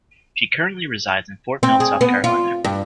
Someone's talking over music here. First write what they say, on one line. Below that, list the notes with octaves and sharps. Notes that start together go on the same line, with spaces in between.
She currently resides in Fort Mill, South Carolina.
C4
G#4
B3
F4
G2